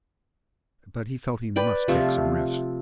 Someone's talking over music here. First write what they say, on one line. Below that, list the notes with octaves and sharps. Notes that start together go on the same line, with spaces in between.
But he felt he must take some risks.
B4 D5 G5 B5
C3 F3 A3 F4